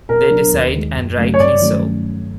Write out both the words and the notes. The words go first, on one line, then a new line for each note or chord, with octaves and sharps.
They decide-and rightly so.
B2 A#4
F#3 B3 D4
D#2
D#3 G#3
F#2
C#3 F#3 A3
C#5
G2 D5
D#3 F#3 A3 C#4